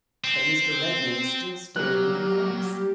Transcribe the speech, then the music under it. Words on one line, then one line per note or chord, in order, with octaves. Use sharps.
But Mr. Redmain still stared in her face.
C4
F#3 G3 A#3 G4 F#6